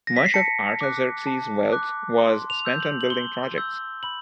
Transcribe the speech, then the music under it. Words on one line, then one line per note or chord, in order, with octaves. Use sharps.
Much of Artaxerxes' wealth was spent on building projects.
A#6
B6
C7
A5 C#7
D6 F#6
A5
D6 F#6
C6
F7
E6 G6
F#7
F#7
C6 G7
E6 G6
B5 F#7